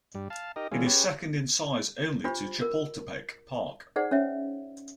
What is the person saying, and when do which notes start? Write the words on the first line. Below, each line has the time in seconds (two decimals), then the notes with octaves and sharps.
It is second in size only to Chapultepec Park.
0.15 G2 G3
0.30 F5 A5
0.56 D#4 G4 A#4 D#5
0.72 E3 G3 A3 C#4 F4 G#4
0.87 C#4 G4 G#4 B4 C#5
2.24 D4 F4 G4 C5 B5
2.61 A#4
3.96 D#4 G#4 C5 D5 F#5
4.11 C#4 C#5 E5